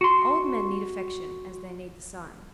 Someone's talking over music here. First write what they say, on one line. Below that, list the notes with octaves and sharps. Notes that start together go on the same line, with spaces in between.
Old men need affection as they need the sun.
F#4 C6